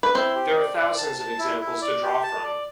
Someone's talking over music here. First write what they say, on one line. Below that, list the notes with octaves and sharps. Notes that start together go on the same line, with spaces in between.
There are thousands of examples to draw from.
B4
C4 E4 C5
G4
D5
D5
A5
A5
E4
E4
D5
G4
A5
D5